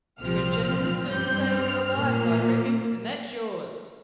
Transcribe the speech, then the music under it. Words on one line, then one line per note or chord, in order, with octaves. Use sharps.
You would just as soon save your lives, I reckon; and that's yours.
C2 A#2 F3 C4 F6
G2 G3 C4 G6
F6
A#2 A#3